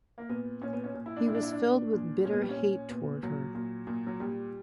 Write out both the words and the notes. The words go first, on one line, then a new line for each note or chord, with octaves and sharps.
He was filled with bitter hate toward her.
A#3
A#2 B3
A#2 C#4
B3
C#4
A#2
E4
D4
A#2 E4
D4
E4
D4
A#2
A#2
A#2 C#4
B3
G3
C#4
A#2
A#2 B3
A#2 F#3
A#2
A#2
F#3
A#2 G3